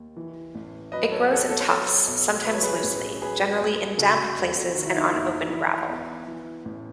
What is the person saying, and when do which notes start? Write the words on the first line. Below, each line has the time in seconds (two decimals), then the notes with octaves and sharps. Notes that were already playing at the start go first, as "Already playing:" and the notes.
It grows in tufts, sometimes loosely, generally in damp places and on open gravel.
Already playing: D#2
0.16 E3
0.55 A1
0.92 F#3 B4 D#5
1.11 A4 C#5
1.31 E2 A4 C#5
1.49 A4 C#5
1.68 F#3 A4 C#5
2.07 B1
2.45 F#3 B4
2.54 C#5
2.63 G#4 B4
2.83 A1
3.22 F#3 G#4 B4
3.59 D#2
3.97 C#3 F#4 A4
4.36 E1
4.75 D#3 F#4
4.86 E4
4.97 D#4
5.07 F#1 E4
5.50 E3 E4
5.89 E2
6.28 E3
6.65 A1